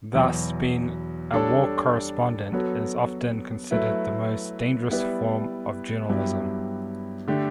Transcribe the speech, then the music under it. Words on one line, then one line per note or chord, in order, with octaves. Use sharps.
Thus, being a war correspondent is often considered the most dangerous form of journalism.
E2 B2 F#3 B3
G3 D4 A4 C#5
F#3 B3 F#4 A4 C#5
F#3 A3 E4 B4
G3 B3 E4 B4 D5
G2 F#3 B3 E4 G4
D3 A3 D4 G4